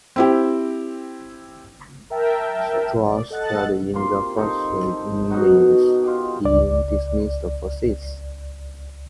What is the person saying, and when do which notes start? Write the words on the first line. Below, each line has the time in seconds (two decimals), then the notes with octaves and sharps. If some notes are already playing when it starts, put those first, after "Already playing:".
Strauss failed in the first innings, being dismissed for six.
0.16 C4 E4 G4
2.10 A#4 E5 G5 A5
3.06 D5
3.30 A4 D#5 F#5 F#6 A6
3.94 C3 A#3 F4 C6
4.37 D#4 A4 C5
5.30 F#2 B2 D#4 F#4
6.03 F4 G4
6.45 C#2 D5